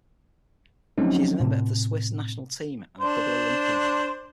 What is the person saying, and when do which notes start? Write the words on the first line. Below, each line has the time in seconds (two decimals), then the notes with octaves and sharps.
She is a member of the Swiss National Team and a double Olympian.
0.98 F3 F#3 A3 C4 C#4 D#4
1.40 A2 C3
3.00 D4 C5